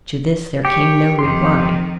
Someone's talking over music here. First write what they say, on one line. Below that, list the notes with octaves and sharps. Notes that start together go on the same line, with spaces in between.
To this there came no reply.
G4 C#5
F2 D#3 C6